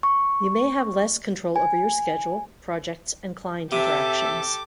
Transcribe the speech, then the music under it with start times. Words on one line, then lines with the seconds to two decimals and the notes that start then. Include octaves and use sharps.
You may have less control over your schedule, projects, and client interactions.
0.03 C#6
1.56 G#5
3.72 C3 G4 A4 E5 D6